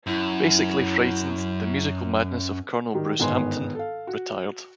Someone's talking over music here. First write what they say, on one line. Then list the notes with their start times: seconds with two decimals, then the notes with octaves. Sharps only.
Basically Frightened: The Musical Madness of Colonel Bruce Hampton, Ret.
0.07 F#2 E4
2.94 D#3 G3
3.19 G1 G#2 D#3 B3 G#5 C6
3.75 A4 F5
4.07 F#4